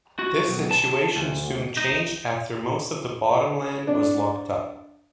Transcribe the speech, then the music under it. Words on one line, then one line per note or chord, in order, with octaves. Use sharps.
This situation soon changed after most of the bottom land was locked up.
F#4
B1
A5
D2
D#4
D4